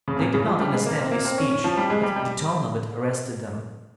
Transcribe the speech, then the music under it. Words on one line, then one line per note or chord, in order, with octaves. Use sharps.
They did not understand his speech, but the tone of it arrested them.
C#3
C3
A#2
C#3
F3
G3
G#3
A#3
C4
A#3
C4
C#4
C#4
F3
G3
G#3
G3
G3